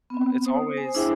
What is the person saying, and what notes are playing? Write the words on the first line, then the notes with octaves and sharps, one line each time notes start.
a it's always,
B3 C4
C5 D#6
C5 G#5
D4 E4 G#4 C5 E5 G5